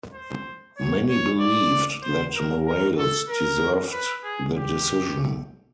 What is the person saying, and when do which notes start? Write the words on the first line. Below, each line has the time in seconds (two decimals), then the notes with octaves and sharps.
Many believed that Morales deserved the decision.
0.14 C5
0.77 C#5
1.09 C#5
1.40 D5
2.03 C5
2.35 A#4
2.66 A#4
2.98 A4
3.29 A#4
3.93 B4
4.24 G#4
4.56 G4